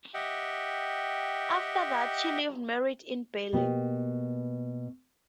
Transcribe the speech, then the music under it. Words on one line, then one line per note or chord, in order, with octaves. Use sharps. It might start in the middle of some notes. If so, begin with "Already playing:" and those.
After that she lived married in Berlin.
G4 D#5 E5 F#5 G5
B2 A#3 B3 G4